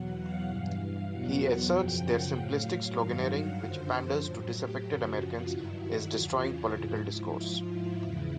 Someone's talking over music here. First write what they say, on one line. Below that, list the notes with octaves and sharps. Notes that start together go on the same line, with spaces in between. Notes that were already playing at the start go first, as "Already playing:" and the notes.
He asserts their simplistic sloganeering which panders to disaffected Americans is destroying political discourse.
Already playing: E2 B2 F#3 F#5
F5
G2 E3
E2 B2 F#3 F#5
F#5
F#2 C#3 F3 G5
F#5
A2 F#3 F5
G2 D#3 F#3
F#5
F#2 D3 F3 C5
A2 F#3
G4
F#2 C#3 F3 F#4
F4
G2 D#3 F#3 E4
F#4
E2 C#3 E3 F4
E4
G#2 F3
G#2 F3 F4
E4
E2 C#3 E3